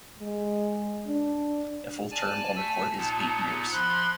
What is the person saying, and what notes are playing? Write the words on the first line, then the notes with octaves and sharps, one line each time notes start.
A full term on the court is eight years.
G#3
D4
D5 G#5 A5
A3 G#5 A5 E6
A#2 B3 D#4
F3 B5 C6 F#6